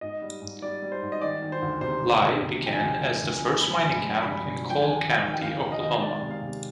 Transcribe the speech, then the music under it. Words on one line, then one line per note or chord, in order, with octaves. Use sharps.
Lehigh began as the first mining camp in Coal County, Oklahoma.
G#2 D#5
G3
G#2
G3 D5
G3
C5
G#2
D#5
D#3 D5
D#3
C5
D2
C3 C5
C3
D2
C3
F3 G5
G#5
D2
F3 G5
D2
G#5
C3
F3 B5
G#5
G2 B5
G#3
G2 B5
G2
F3
G5
D#2 G#5
D#2
G5
D#2
G5
D#2 F5
D#2
D#5
D#2
G#3 D5
C3
F5
C3